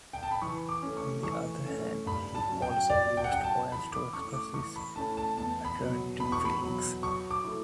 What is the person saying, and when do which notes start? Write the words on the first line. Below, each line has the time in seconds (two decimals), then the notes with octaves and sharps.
On the other hand, he also used poems to express his patriotic feelings.
0.13 G5
0.23 A5
0.31 B5
0.42 E3 C#6
0.69 D6
0.82 A3 C#4
0.97 C#6
1.23 E3 C#6
1.65 A3 C#4
2.06 G2 B5
2.35 A5
2.47 F#3 C#4
2.62 G5
2.89 G2 D5
3.17 G5
3.24 F#5
3.31 F#3 C#4 G5
3.44 A5
3.72 E3 B5
3.92 D6
4.14 A3 C#4 E4 C#6
4.33 D6
4.54 E3 C#6
4.76 B5
4.96 A3 C#4 E4 A5
5.17 A5
5.37 E2 A5
5.65 B5
5.79 B2 F#3
6.20 E2 B5
6.32 C#6
6.45 B5
6.61 B2 F#3
7.02 F#3 C#6
7.31 D6
7.44 A3 E4